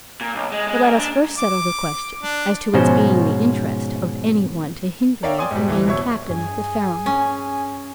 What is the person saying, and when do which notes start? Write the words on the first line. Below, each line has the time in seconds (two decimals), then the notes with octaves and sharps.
But let us first settle the question as to its being the interest of any one to hinder you from being captain of the Pharaon.
0.21 A#2
0.35 B1
0.52 G#3
0.68 G#3
0.84 A#2
0.98 D4
1.38 D6
2.23 D4
2.74 G#2 B2 F3 C#4 C5 A#5
5.23 A#4 C#5 D5 E5 F5 G5
5.38 D5 G5 G#5 C6 D#6
5.51 G#2 B2 G3
5.68 D2 E3
5.86 D1 B2 C#5 E5 C#6 G#6
6.30 G2 G#4 G#5
7.06 C#4